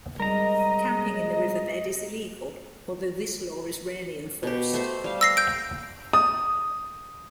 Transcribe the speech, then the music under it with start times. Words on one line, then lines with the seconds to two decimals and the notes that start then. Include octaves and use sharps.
Camping in the riverbed is illegal, although this law is rarely enforced.
0.20 F#2 C3 G3 G#3 A#4 D#5 A#5
4.43 B2 G4
4.74 A3 C5
5.04 G3 F5
5.21 E6 A#6 C7
5.37 G6 D7
6.13 D#6